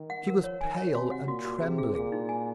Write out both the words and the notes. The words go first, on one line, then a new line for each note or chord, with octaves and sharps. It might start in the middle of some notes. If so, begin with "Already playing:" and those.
She was pale and trembling.
Already playing: D#3
F#5
F3 A#4
C#5
D#3 G#5
C#5
C3 F#4
F#5
A#2 F#4
F#4
C3 G#4
G#4
A#2 G#4
D#4
G#5